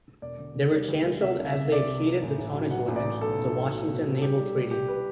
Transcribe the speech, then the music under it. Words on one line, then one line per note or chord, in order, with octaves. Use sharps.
They were cancelled as they exceeded the tonnage limits of the Washington Naval Treaty.
E1 D5
D3
D3
G3
D2
G3
C3 E5
C2
E5
C2
C3 D5
C2
C2
A1
A1
F#3
F#3 F#5
A1
D5
A1
B1 A4
B1
B1
B2
B2
B1
A4
G3 G4
G3
G3
C2 G4
B4